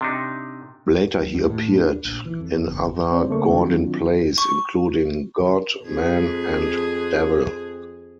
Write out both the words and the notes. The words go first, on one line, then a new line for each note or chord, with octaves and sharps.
Later he appeared in other Gordin plays, including "God, Man, and Devil".
C3 D4 D#4
F#2
D#2
A2
D4
A#1
E3
F2
G1
C4 C5 D5
C#3 A3 A#3 C#6
F#2 D#3 F#3 C4 D4 F4
C#6
F2 G#4